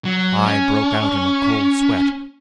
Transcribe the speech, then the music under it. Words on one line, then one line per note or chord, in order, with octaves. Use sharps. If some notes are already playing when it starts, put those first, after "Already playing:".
I broke out in a cold sweat.
F#3
C#4